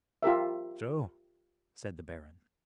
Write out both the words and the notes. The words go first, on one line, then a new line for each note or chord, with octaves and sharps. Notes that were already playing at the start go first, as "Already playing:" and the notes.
"So?" said the Baron.
F4 G4 A#4 E5